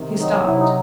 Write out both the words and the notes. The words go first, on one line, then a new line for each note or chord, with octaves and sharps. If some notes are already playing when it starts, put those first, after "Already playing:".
He stopped.
Already playing: C3 D#3
F#3 D#4
C3 E4
D#4